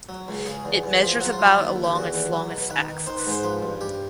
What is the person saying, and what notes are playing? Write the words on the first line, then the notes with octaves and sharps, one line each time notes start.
It measures about along its longest axis.
F#3
C#2
C#3 G#4
E2
E2
F3
F#3 F#4
F4
F#3
F4
D#2 E4
D#2
G4
E2 F#4
E2
F#3
B2
D#3 B4
D#3
D#3 C5
B4
G#2
C5
F3 B4
G2
G2 G4